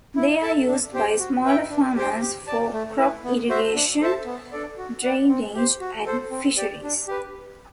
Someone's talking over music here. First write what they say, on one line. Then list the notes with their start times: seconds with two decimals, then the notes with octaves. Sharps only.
They are used by smaller farmers for crop irrigation, drainage and fisheries.
0.16 E4
0.42 A4 E5 A5
0.67 D4
0.93 G4 C5 G5
1.19 F#4
1.44 B4 E5 G5
1.70 D4
1.96 G4 C5 G5
2.21 G4
2.47 D5 A5
2.73 A3
2.98 E4 B4
3.24 B3
3.49 F#4 C5 E5
3.75 D4
4.01 A4 C5 E5 A5
4.26 B3
4.52 D4 A4 D5
4.78 F#4
5.03 B4 D5 F#5
5.29 C4
5.54 G4 C5
5.81 F#4
6.06 A4 C5
6.31 C4
6.57 G4 D5
6.83 D4
7.08 G4 B4